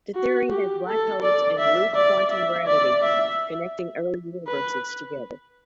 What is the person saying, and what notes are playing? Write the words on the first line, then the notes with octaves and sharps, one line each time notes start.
The theory has black holes and loop quantum gravity connecting early universes together.
F#4
G4
A4
D5
E5
D5
E5
D5
E5
B4